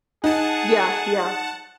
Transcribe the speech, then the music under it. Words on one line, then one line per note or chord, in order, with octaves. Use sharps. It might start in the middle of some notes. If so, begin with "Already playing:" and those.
Yeah, yeah.
D#4 G#4 F#5 A5